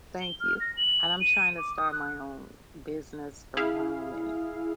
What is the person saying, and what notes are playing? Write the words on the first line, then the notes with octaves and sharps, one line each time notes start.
Thank you. And I'm trying to start my own business from home and,
G7
F6
A#6
F#7
D#7
D6
D#6
F#6
E4 G#4 F5